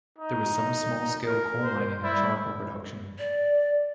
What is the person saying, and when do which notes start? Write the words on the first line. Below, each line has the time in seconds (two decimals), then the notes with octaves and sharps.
There was some small scale coal mining and charcoal production.
0.18 D#4
1.28 A#4
1.62 C5
2.03 G3 E4
3.19 D5